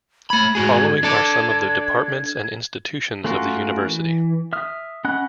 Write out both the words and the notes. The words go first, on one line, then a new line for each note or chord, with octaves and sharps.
Following are some of the Departments and institutions of the university.
A3 B5 G#6
G#2 F#4 G#4
D4 A4 D5
A3 C#4 F4 F#4 A#4
E3
E5 D#6 F6
C#4 D#5 F#5 B5 F#6